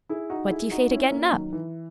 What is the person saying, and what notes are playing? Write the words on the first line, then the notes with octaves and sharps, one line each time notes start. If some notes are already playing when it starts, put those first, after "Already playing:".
"What do you say to gettin' up?"
E4 G#4
D#4 F#4
E4 G#4
D#4 F#4
C#4 E4
A#3 C#4
D#3 F#3
E3